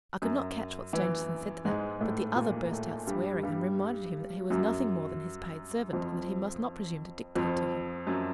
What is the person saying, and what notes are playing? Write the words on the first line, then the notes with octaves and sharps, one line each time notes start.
I could not catch what Stangerson said to that, but the other burst out swearing, and reminded him that he was nothing more than his paid servant, and that he must not presume to dictate to him.
F#2 F#3
E3
G#2 G#3
A2 A3
A#2 A#3
A2 A3
G2 G3
G2 G3
F#2 F#3
F2 F3
F2 F3
F#2 F#3